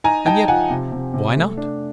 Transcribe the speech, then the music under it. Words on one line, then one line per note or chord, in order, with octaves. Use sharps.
And yet--why not?
D#4 G#5 A#5
D#4 G5 A5
F3 F#5 G#5
C3
C3
C3
A3
D4